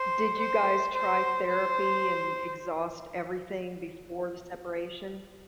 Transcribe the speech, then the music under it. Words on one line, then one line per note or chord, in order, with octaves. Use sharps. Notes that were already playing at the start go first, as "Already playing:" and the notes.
Did you guys try therapy and exhaust everything before the separation?
Already playing: C5
C5
C5
C5